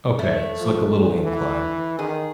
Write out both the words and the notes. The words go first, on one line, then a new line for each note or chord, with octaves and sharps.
Okay. It's like a little incline.
A3
F3
E2
E3
D#3 G#4